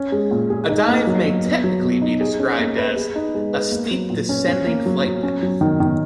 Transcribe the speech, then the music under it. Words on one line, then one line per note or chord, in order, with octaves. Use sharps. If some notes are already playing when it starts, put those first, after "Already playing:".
A dive may technically be described as "a steep descending flight path".
Already playing: C#4
G#3
A#2
G#4
D#4
A#3
F#3
F#3
B3
F#3
B2
D#4
G#4
C#4
A#3
B4
G#4
D#4
G#3
B4
A#3
F#3
A#2
C#4
C#4
A#3
F#3
F#3
C#4
F#3
D#3
D#3